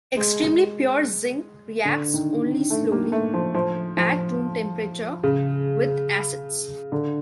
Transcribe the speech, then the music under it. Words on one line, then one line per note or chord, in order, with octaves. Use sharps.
Extremely pure zinc reacts only slowly at room temperature with acids.
G#3
D3
D#3
A3
A#3
A3
F3
F3
F3
C#3
D3